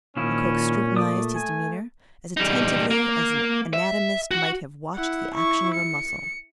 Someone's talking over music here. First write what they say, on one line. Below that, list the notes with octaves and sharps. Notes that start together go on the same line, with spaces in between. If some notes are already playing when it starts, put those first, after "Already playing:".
Lecoq scrutinized his demeanor as attentively as an anatomist might have watched the action of a muscle.
A#2 D#3 F3 C#4 E4
A3 D5 D#6
G#5
G3 D#4
A#3
E5
F#4
E4 F#5
E4 C#6
C#7